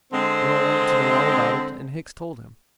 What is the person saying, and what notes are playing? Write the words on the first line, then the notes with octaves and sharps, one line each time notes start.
The Colonel wanted to know all about it, and Hicks told him.
D3 G#3 C4